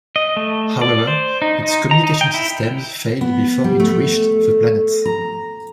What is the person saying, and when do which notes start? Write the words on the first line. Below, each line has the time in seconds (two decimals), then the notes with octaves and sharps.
However, its communications systems failed before it reached the planet.
0.16 D#5
0.37 A3
0.81 D5
1.07 C5
1.42 D#4
1.63 D#4
1.91 A#5
2.04 D#4
2.21 G5
2.34 E4
3.21 B3
3.64 G3
3.80 A3
5.05 A#5